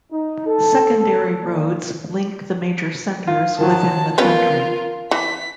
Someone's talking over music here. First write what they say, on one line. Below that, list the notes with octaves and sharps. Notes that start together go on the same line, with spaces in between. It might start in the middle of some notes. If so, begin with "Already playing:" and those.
Secondary roads link the major centers within the country.
D#4
A4
A#2
F4
D#3 F3 F#3 A5
B3 C#4 F4 A#4 B4
E3 B6